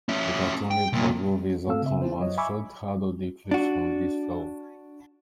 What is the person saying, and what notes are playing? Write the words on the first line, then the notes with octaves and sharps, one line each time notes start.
The Cartoon Network "Groovies" Atom Ant short had audio clips from this film.
C#4 E4
G5
C2 A#2
G#2 A3 C4 A4 F5 E6
C#3 C4 E5
E4 F4 C5
F#2 F#3 C#5 D#5
E5 G#5 B5 C#6 D6 E6
D4 F#4